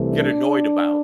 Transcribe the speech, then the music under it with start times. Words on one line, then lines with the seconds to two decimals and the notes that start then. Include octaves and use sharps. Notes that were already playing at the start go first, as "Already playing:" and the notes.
get annoyed about,
Already playing: C2 C3 E3 A3
0.14 D4